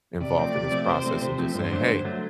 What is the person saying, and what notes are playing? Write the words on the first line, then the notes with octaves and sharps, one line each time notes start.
involved in this process, and just saying, "Hey,
C3 D5
F3 A3 C4
C3
F3 A3 C4
C3 C5
F3 A3 C4
C3
F3 A3 C4
G2 C5
D3 F#3 A3 D4
G2
D3 F#3 A3 D4